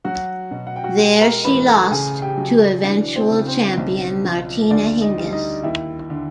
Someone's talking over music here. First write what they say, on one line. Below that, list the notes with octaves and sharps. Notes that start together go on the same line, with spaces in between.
There she lost to eventual champion Martina Hingis.
F#3 F#4 F#5
B2
F#5
G5
F#4 F#5
G#3 G4 G5
A#4 A#5
A1 B4 B5
A4 A5
C#3 G#4 G#5
G4 G5
F#3
E3 D4 D5
C4 C5
C#3
C4 C5
B1
F3
D2 D4 D5
D#4 D#5
G3
D#4 D#5
D#2 E4 E5
D3